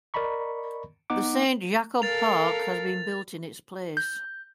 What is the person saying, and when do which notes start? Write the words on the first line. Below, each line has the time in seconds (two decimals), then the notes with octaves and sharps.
The Saint Jakob-Park has been built in its place.
0.14 A#4 D5 D#5 A#5 B5 C#6
1.10 B3 D#4 F#5 D6
2.02 A4 A#4 F5 A6 F7
3.97 G6